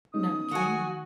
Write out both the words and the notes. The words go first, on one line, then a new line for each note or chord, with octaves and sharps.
None came.
B3 C#4 D#4 D#6
D#3 F#4 F#5 G#5